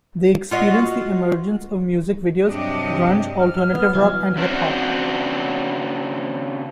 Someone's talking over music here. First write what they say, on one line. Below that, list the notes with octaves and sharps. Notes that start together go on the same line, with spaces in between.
They experienced the emergence of music videos, grunge, alternative rock and hip hop.
F4 F#4 D#5
G2 C3 F#3 D4 G4 D#5
F6
B3
E3 F#3
C#3 C4 D4 F#4 C5